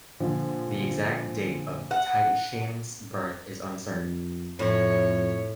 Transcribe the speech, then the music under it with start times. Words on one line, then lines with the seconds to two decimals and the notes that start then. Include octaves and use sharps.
The exact date of Titian's birth is uncertain.
0.20 A#2 D3 F3
1.91 F#5
3.90 F2
4.59 F2 A2 C#5